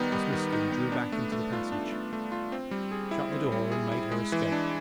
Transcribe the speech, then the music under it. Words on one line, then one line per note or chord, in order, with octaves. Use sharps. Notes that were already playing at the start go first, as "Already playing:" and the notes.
Miss Miskin drew back into the passage, shut the door, and made her escape.
Already playing: D#3 G3 B3 D#4
G3
D#3
D#4
B3
D4
A3
A3
F4
D4
A3
A3
F4
C4
G3
G#4
E4
C4
G3
G#4
E4
G#3
E3
D4